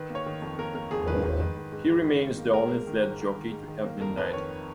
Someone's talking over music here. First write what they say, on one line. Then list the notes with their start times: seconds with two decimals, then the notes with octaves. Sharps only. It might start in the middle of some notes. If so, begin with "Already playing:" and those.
He remains the only flat jockey to have been knighted.
Already playing: D#3 B4
0.10 A#3
0.15 C#5
0.26 D#3
0.42 F2
0.59 A#3 A#4
0.75 A#3 A#4
0.91 F2 G#4
1.07 D#3 B4
1.24 G#2
1.40 D#3
1.57 G#2
1.72 G#2
1.88 G#2
2.05 D#3
2.21 G#2
2.38 A#3
2.54 G#3 A#4
2.70 G#2
2.87 D#3
3.03 G#2
3.20 G#2
3.36 D#3
3.51 G#2
3.68 D#3
3.84 A#3
4.00 F2 A#4
4.17 F2 B4
4.33 D#3 C#5